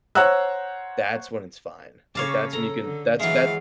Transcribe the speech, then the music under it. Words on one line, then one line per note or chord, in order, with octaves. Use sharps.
That's when it's fine, like that's when you can that's that
C5 C#5 F#5 A#5 E6 F#6
C#3 C#5 F5 A5 D6
A4 A#5
D3
E3 F#3 G#3 E5 F5